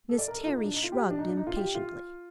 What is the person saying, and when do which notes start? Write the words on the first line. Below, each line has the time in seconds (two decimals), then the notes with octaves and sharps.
Miss Terry shrugged impatiently.
0.09 A4
0.18 D5
0.28 A#4
0.37 A4
0.46 F4
0.56 D#4
0.64 D4
0.73 D#4
0.83 F4
0.92 G4
1.10 D4
1.19 D#4
1.28 D4
1.37 D#4
1.47 F4
1.56 G4
1.75 F4